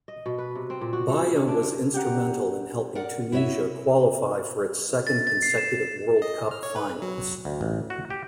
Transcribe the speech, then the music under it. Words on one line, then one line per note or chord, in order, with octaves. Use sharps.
Baya was instrumental in helping Tunisia qualify for its second consecutive World Cup finals.
D#5
B2
B4
C3
C4
A#2
F#4
A3
G#4
D3
D4
C3
G4 D5 F#5 A#5
A#4 D5 F#5
E4 F#4 C#5 D#5 E5
A6
A6
C7
E7
D#5
F6
C#5
B4
F#3
D2
A1
F#4
G4